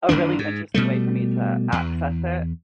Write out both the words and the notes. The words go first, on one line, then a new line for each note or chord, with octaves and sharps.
a really interesting way for me to access it.
F#1 D#2 D#3 D4
G#2
B2 G3 A3
E2